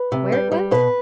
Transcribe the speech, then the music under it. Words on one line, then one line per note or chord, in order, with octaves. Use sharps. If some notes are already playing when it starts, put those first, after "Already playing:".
"Where it went?"
Already playing: B4
C3
G3
G3
B2 B4